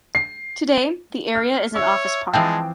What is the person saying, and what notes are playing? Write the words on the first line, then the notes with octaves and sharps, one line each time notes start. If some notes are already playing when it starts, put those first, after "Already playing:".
Today, the area is an office park.
C7
F6
C#5 E5 E6
E3 F3 G#3 C4 G5 A5